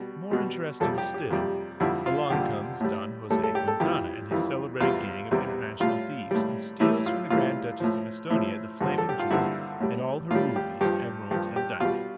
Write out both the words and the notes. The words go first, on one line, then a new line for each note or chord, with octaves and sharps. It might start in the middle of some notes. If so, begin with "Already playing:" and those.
More interesting still--along comes Don Jose Quintana and his celebrated gang of international thieves, and steals from the Grand Duchess of Esthonia the Flaming Jewel and all her rubies, emeralds and diamonds.
Already playing: B2 G3
B2 G3
F2 C3 G3 A4
G4
G4
F2 C3 G3
F2 D3 G3 E4
F4
F2 D3 G3 G4
A2 G3
A2 G3 A4
A4
G4
A4
F2 E3 G3 G4
F2 E3 G3
E2 C3 G3 F4
E2 C3 G3
A2 G3 F4
A2 G3
A2 E3 G3 E4
F4
A2 E3 G3 F4
A2 F3
A2 F3 E4
G2 D3 F3
A4
G4
F4
G2 D3 F3 E4
A2 G3
A2 G3 F4
G4
G2 F3 G4
G2 F3 G4
G4
B2 G3 F4